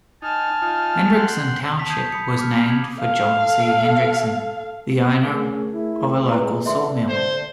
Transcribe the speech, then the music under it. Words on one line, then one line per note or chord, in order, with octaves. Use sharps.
Hendrickson Township was named for John C. Hendrickson, the owner of a local sawmill.
D#4 G#5 A5 F6
D#4 F4
F#5 G5 C6
A5 B6 F7
D#6 G6 G#6 B6 C7 D#7
B5 D#6 C#7
D6 F6
F7
G#6 F#7
A4 F5
A3 C#4 G#4 A#4 C#6 D6
E4
G#3 E4 B4
D3 E5 C6
C5